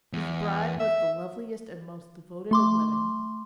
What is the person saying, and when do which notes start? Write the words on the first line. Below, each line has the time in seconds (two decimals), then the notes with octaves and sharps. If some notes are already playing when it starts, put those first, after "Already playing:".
His bride was the loveliest and most devoted of women.
0.13 E2
0.80 E5
2.51 A3 C6 D6